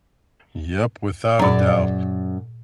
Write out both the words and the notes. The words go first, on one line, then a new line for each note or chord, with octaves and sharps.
Yep, without a doubt.
F#2 A#2 D5 A#5